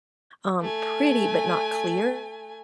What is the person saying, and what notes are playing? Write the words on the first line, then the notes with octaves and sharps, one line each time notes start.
um, pretty but not clear,
A3 G#5